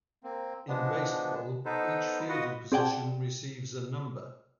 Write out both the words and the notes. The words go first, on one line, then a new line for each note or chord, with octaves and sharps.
In baseball, each fielding position receives a number.
A#3 C4
F3 G#3 B3 D4
B3 D#4 A4 B4 C5
F4 F#4 B4 D#5 F#5
C4 G#4 D5 F#5 G5 A5